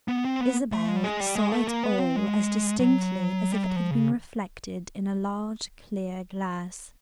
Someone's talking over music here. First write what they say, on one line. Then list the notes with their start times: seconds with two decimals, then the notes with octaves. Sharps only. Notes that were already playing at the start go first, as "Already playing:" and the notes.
Isabel saw it all as distinctly as if it had been reflected in a large clear glass.
0.08 B3
0.24 C4
0.41 B3
0.72 A3
0.88 G#3
0.96 G3
1.04 G#3
1.20 G3
1.35 G#3
1.52 A3
1.67 A#3
1.84 B3
1.99 C4
2.16 G#3
2.79 F#3
3.52 G3
3.64 F#3
3.76 F3
3.91 C#3